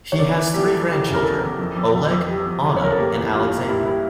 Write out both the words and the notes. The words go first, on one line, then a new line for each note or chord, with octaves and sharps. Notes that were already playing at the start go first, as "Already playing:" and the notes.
He has three grandchildren, Oleg, Anna and Alexander.
C#5
E2 D5
E3
E2 G4
A4
E3
E3 G4
C#3
A#4
E2 A4
E2
F2
F2
F2
F2
G3
F2
C#3
C#5
F2 A#4
A4
A#3 G4
E3
G2 F4
A#3
G3 E4
G3 E4